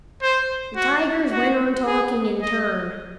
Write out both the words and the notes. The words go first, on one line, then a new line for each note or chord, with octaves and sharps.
The tigers went on talking in turn.
C5
F#4
F#4
G#4
D#5